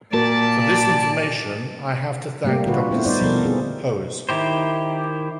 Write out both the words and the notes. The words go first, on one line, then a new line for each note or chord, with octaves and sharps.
For this information I have to thank Dr. C. Hose.
A#2 A#3 F#4 A#4 D5 A5
G3 A3 A#3 G4
A#2 D3 F4 F#4 B4
G3 A3 B3 C4 E4 C5
G3 C4 D#4 C5 D5
B2 B3 A4 A#4
C4 G#4
D#3 E4 G4 C5